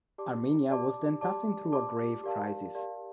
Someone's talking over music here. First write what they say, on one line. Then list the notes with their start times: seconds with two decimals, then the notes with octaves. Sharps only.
Armenia was then passing through a grave crisis.
0.18 G4 D5 A5 D6
0.70 G4 D5 A5 D6
1.21 G4 D5 A5 D6
1.72 G4 D5 A5 D6
2.24 G4 A#4 D5 F5 A5
2.75 G4 A#4 D5 F5 A5